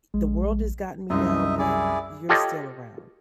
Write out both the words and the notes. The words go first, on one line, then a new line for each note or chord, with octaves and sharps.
the world has gotten me down, but you're still around,
A#1 G#3
C2 F#2 D#4 D#5 E5
E4 G#4 D5
F4 G4 A4 C#5 D#5